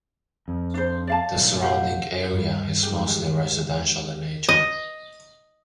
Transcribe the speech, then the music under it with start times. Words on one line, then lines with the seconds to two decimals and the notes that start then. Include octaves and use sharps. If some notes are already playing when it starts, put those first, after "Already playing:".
The surrounding area is mostly residential in nature.
0.48 F2
0.74 D4 C5
1.07 D5 F5 A5
1.36 B1 A2 F#3
1.62 G4 F5 F#5
2.33 G2 G3
2.83 D#3 G#3 G4
4.49 D#5